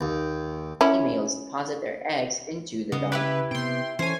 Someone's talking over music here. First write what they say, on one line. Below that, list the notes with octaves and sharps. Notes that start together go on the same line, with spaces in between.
Females deposit their eggs into the dung.
D#2
C#4 E4
C#3 B3 D#5
E4 F#4 G4 B4
C3 B3 G5 C6
E3 C#4 A4 C5 C#5 G#5